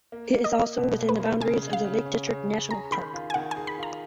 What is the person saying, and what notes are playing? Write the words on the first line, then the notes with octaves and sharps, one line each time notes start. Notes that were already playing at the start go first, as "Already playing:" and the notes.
It is also within the boundaries of the Lake District National Park.
A#3
A#3
D#5
A#3
B2
A#3
B4
A#3
C#3 G#5
C#3
F5
C#3
C#4
C#3
C#4
G#4 A#5
D#3 B5
F4
G#5
D#3 F#5
G#5
G#4
B5
F4 A#5